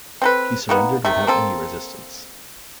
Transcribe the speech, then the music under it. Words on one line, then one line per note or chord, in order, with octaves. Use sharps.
He surrendered without any resistance.
C4 A4 B4
D#3 A#3 B3
C3 D#3 A3
A#3 C4 A4